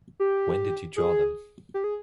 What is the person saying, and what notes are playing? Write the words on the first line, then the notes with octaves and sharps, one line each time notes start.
When did you draw them?
G4
G#4
G4
G#4